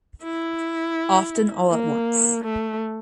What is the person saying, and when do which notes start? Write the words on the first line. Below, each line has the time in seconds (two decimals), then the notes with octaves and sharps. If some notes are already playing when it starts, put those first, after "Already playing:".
Often all at once.
0.23 E4
1.71 A#3
2.44 A3